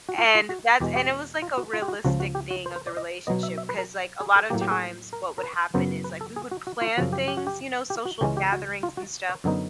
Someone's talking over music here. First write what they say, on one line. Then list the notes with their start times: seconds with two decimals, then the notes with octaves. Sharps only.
and that's and it was like a realistic thing of the relationship. 'Cause, like, a lot of times what would happen is like we would plan things, you know, social gatherings and stuff.
0.09 F#4
0.18 F4
0.35 F4
0.49 F#4
0.80 E2 B2 G#3 G4
0.96 G4
1.42 F4
1.57 F#4
1.73 F4
1.82 G4
1.88 F#4
2.05 C#2 C#3 F3 F#4
2.20 F#4
2.35 G4
2.51 F#4
2.66 C5
2.76 C5
2.87 D5
2.97 D#5
3.27 B2 F#3 B3 D#5
3.43 E5
3.58 E5
3.69 B4
3.78 A#4
4.20 G#4
4.36 A4
4.50 A2 F#3 A#3 G4
4.61 G4
4.71 G#4
5.13 A#4
5.38 A#4
5.43 B4
5.74 F#2 C#3 F#3 B3 C5
6.04 B4
6.21 A4
6.36 G#4
6.51 F#4
6.67 F#4
6.81 F4
6.98 F#2 C#3 F3 F#4
7.13 G4
7.28 G4
7.37 F#4
7.47 G4
7.90 G4
8.05 F#4
8.21 C#2 C#3 E3 G#3 C#4 G4
8.37 G4
8.52 F#4
8.83 F4
8.97 F#4
9.29 C#5
9.44 F#2 D3 F#3 B3 D#4